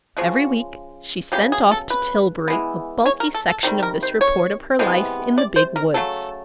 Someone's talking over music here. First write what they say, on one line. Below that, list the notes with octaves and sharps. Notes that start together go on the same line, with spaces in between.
Every week she sent off to Tillbury a bulky section of this report of her life in the Big woods.
C#3 F3 G#3 F#4
C#3 F#3 B3 G4
G#4
A4
B4
E3 G#3 B3
C#5
A#4
A4
A4
C3 D#3 G3
A#4
C5
C#5
C3 E3 G#3 B3
D5
C5
A#4
C#3 F#3 A3 A4